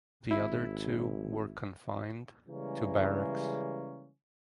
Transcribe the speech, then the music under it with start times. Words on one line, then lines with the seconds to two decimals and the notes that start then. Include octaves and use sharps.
The other two were confined to barracks.
0.31 G#1 E4
2.48 C#3 E3 G3 G#3 A#3 C#4